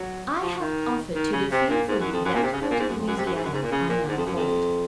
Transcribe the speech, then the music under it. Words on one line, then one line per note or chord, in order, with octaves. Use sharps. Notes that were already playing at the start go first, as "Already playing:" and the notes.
I have offered to defend for you that part of Louisiana I now hold.
Already playing: F#3
F3
D#3
D#3
C#3
C3
A#2
G#2
F#2
F2
F#2
A#2
C3
C#3
G#2
A#2
G#2
F#2
F2
F#2
C3
F#2
G#2
F#2
G#2
A#2
C#3
A#2
G#2
F2
F#2
F2